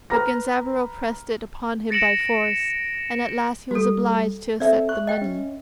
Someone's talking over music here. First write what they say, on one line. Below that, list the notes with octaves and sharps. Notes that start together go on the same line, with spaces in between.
But Genzaburo pressed it upon him by force, and at last he was obliged to accept the money.
B4 A#5 F6 A#6
A6 A#6 C#7 D7 E7 F#7
G3 F#4 A4
C4 A4 D5 E5
C#6 F#6
D#5 G5
C#4